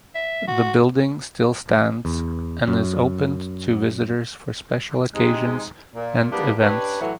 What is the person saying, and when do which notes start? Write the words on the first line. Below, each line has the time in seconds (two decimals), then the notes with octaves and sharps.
The building still stands and is opened to visitors for special occasions and events.
0.15 E5
0.47 F#4
2.05 E2
2.68 F#2
5.15 C3 G#3 D#4
5.95 A#2
6.32 E3 G3 A#3 B3 D4 G4
6.61 C#4 D4 G4 B4
7.01 A2 E3 F#3